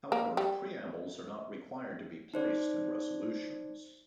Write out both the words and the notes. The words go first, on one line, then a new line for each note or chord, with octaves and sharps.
However, preambles are not required to be placed in resolutions.
A#3
G3
D#4 C5 D5